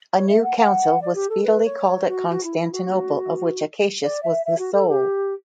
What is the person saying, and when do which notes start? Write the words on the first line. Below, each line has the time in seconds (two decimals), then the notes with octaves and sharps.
A new council was speedily called at Constantinople, of which Acacius was the soul.
0.15 C#5
0.29 E5
0.43 F#5
0.58 F#5
1.01 D5
1.15 G4
1.29 A4
1.44 B4
1.65 C#5
1.87 C#5
2.08 F#4
2.30 F#4
2.44 E4
2.59 E4
2.72 F#4
4.02 D5
4.23 E5
4.45 E5
4.59 F#4
4.73 A4
4.88 G4